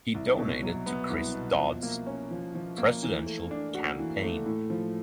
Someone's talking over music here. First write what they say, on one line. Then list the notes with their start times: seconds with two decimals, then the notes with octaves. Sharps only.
He donated to Chris Dodd's presidential campaign.
0.14 C2
0.38 B2
0.63 F#3
0.86 B3
1.10 C2
1.34 B2
1.58 F3
1.83 A#3
2.07 C#4
2.31 F3
2.55 F3
2.78 A#3
3.02 E3
3.26 A3
3.51 D4
3.74 F#4
3.98 E3
4.22 A3
4.46 A2
4.70 F3